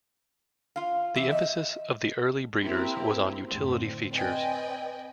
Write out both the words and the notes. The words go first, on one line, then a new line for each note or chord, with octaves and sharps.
The emphasis of the early breeders was on utility features.
F4 F5
E2 E5
D#5
A#3 C4 E4 G4 A#4
F#2 A2 D3 C4
C4 B4 D5 D#5 G5 G#5